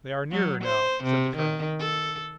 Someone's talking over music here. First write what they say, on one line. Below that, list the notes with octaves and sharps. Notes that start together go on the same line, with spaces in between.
"They are nearer now," said the Colonel.
F#3
C5
C3
D#3
A4